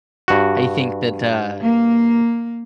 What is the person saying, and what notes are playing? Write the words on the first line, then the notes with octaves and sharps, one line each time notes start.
I think that, uh,
G2 F#4
A#3